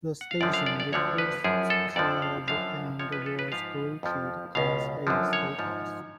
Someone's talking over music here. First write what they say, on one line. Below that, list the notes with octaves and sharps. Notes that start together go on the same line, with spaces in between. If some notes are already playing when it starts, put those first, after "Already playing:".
The station requested and was granted Class A status.
F#5
F5
F#2 D3 F3 D5
F5
D5
D5
D2 D3 F3 C#5
B4
F#2 F3 G#4
A4
F2 D3 F3 D5
F5
F#2 D3 F3 F5
F2 F3 C#5
B4
A4
B4
G#2 F3 F5
F2 F3
C#2 B2 F5
F#2 D3 F3
C#5
G#2 F3